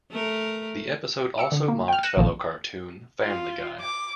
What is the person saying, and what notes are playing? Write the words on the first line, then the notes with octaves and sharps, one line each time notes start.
The episode also mocked fellow cartoon "Family Guy".
A3 A#4
D6 E6 C#7
D3
A#3
G5 F6
F#6 A#6 C#7 D#7 E7
A#1 A#2 D#3 F3
F4
D6